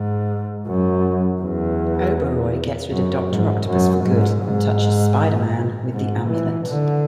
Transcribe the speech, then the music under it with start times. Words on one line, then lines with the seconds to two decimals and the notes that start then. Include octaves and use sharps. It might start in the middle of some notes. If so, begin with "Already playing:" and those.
Oberoi gets rid of Doctor Octopus for good and touches Spider-Man with the amulet.
Already playing: G#2
0.67 F#2
1.42 E2
2.91 F#2
3.30 G#2
3.67 F#2
4.04 G#2
4.42 G#2
5.92 G#2
6.30 E3
6.67 D3